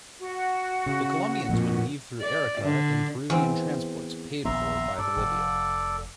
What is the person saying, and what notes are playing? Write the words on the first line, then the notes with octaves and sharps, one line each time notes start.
The Colombians would leave through Arica in Peruvian transports paid for by Bolivia.
F#4
C#3
F2 A#2
D5
D3
E2 C4
D#1 A#1 B3 E5 A#5 C6
G2 A4 D5
F1